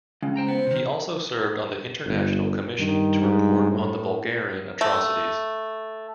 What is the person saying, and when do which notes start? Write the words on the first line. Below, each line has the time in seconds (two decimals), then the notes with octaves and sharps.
He also served on the International Commission to report on the Bulgarian Atrocities.
0.23 C#2 C#3 G#3
0.36 C5 G5 A#5
0.48 B3 C5
0.67 C3 D#3
2.05 G1
2.79 G2 D#3
3.21 G#2
3.71 A2
4.81 A3